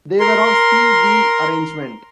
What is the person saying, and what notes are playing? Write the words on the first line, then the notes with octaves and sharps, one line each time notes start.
They were of C wheel arrangement.
A#4 C6